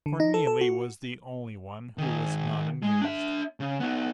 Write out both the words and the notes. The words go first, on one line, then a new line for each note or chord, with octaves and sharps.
Cornelie was the only one who was not amused.
D3
D#4
A4
A4
F#4
D#3 G#4
G#3
D4 E5
C#3
B3 D#4